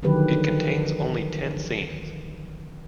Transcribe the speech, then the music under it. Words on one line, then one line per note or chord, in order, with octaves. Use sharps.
It contains only ten scenes.
D3 D#3 F3 F#3 G4 B4